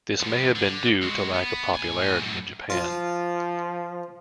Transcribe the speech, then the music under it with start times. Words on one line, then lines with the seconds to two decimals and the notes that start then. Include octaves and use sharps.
This may have been due to lack of popularity in Japan.
0.21 F3 B3
0.56 D3
1.02 G#3 F#4
1.34 B3
1.74 A2 G#5
2.20 F#2 A2
2.70 F3 F4